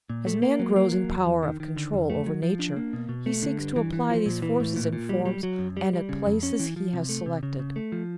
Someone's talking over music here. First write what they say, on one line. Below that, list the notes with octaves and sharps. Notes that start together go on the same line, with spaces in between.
As man grows in power of control over nature, he seeks to apply these forces in forms and at places he has selected.
A#2
A3
A#3
F#3
A#3
F#3
E2
E2
D#3
D#3
D3
F2
A3
F#3
F3
D4
A#3
B2
B2
A3
D3
G2
E3
E3
F3
A#2
E3
A2
A#2
A#2
G3
G3
F#3
F#2
G3
G3
C#3
F2
C#4
E3
F3
C3
A3
C3
C#3
C#3
A3
F3